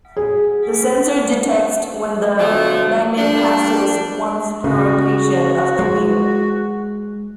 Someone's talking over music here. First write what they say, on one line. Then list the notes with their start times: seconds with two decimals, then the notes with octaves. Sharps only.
The sensor detects when the magnet passes once per rotation of the wheel.
0.17 G#4
2.38 B2 D3 F3 F#3 A3
3.18 F3 G3 D4
4.64 C#3 F#4
5.79 G#3